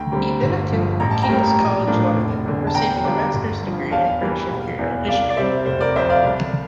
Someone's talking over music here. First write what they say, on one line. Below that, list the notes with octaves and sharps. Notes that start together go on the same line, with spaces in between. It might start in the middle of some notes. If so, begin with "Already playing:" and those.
He then attended King's College London, receiving a master's degree in British imperial history.
Already playing: D2 G5 A#5
D3 G3 C4
G1
G2 F3
A1 A#5
A5
G5 A#5
A2 G3 A#3
A#1
A2 F3 A#3 D4
F1
E2 D3
A5
E2 G5 A#5
D3 G3 D4
G1
G2
F3
E2 F5 A5
E3 G3 A#3
E1
E2 E3
C2 D5 F5
D5
C3 G3 C4 C5 E5
F1 C5
A#4 D5
F2 C3 C5 E5
D5 F5
C2